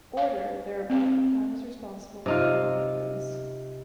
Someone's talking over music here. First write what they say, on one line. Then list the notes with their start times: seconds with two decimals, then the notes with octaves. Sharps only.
Order, thereby the town is responsible for their maintenance.
0.17 F5
0.90 C4
2.26 C3 D#4 F4